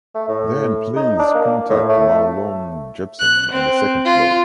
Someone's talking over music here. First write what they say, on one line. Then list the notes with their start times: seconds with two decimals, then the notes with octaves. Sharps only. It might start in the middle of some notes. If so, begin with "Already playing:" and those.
Then please contact Marlon Jepsen on the second floor.
0.15 A3
0.29 A2
0.96 D#4
1.19 D4
1.35 A#3
1.70 A2
1.90 A3
3.20 F#6
3.53 C4
4.04 F4